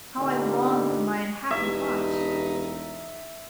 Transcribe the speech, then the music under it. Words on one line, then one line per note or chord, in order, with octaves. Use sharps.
How I longed for my unhappy watch!
G2 A#2 D3 G3 C4 D#4
E1 G2 D#4 E5